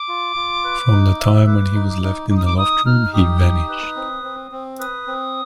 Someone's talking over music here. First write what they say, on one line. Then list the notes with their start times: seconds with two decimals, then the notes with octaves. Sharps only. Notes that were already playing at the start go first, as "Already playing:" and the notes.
From the time when he was left in the loft-room, he vanished.
Already playing: D6
0.08 F4
0.36 F4
0.64 B4
0.92 D#4
1.19 E5
1.47 B4 D6
1.75 D#4
1.89 D6
2.03 D#4
2.30 D#4 D6
2.37 D#6
2.45 D6
2.58 D#4 D#6
2.85 D#4 F6
3.13 G4 D#6
3.41 D#4
3.69 B4
3.96 C4
4.24 C4
4.51 C4
4.79 B4 D#6
5.07 C4